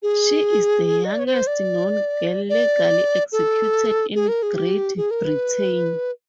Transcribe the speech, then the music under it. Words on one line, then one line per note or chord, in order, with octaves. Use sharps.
She is the youngest known girl legally executed in Great Britain.
G#4
D#5
D5
C#5
C5
D5
D5
A4
G#4
A#4
G#4
G4
G#4
A#4
B4